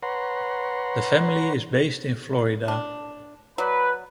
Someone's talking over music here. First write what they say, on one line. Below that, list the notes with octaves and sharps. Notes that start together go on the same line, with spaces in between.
The family is based in Florida.
B4 C#5 F#5 A#5 C6
D4
F#3 B4 D5